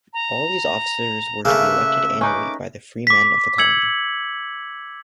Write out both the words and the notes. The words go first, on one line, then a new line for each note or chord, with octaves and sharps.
All these officers were to be elected annually by the freemen of the colony.
A#5
C#3 A3 A#3 E5 F#6
C#4 D#4 B4 D6
D6 B6
E6 G#6 C#7 F#7